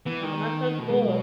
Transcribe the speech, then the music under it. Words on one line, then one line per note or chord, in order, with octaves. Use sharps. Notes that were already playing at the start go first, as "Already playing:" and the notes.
Oh, that's so cool.
E3 B3
D#3
B2 A3
G#3
F#3